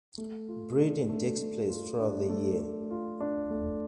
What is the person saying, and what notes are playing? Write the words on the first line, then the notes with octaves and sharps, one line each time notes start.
Breeding takes place throughout the year.
A3
F4
D4
A3
A3
F4
D4
A3
A3
F4
D4
A3